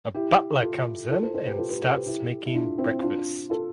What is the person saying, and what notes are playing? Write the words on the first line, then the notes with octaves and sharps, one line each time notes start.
A butler comes in and starts making breakfast.
E4 G4
F4 A4
F4 A4
A4 C5
A4 C5
G4 B4
F4 A4
G4 B4
A4 C5
G4 B4
E4 G4
E4
D4 F4
C4 E4
D4 F4
F4 A4